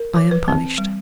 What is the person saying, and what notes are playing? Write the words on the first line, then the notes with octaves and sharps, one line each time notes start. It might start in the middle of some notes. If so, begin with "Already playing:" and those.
I am punished.
Already playing: A#4
E3
B4
C4
G3